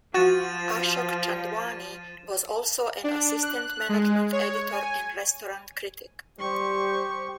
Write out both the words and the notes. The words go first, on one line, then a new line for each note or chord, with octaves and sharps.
Ashok Chandwani was also an assistant management editor and restaurant critic.
F3 F#4 A6 D#7 E7
D4
F#6
G#3
C#5
G#5
G3 G4 C5 C#6